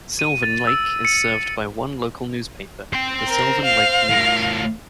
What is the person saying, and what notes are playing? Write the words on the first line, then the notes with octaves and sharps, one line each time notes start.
Sylvan Lake is served by one local newspaper, "The Sylvan Lake News".
D#7
A6
E6
C#7
C5 G5
A#4
F5
A2 A#4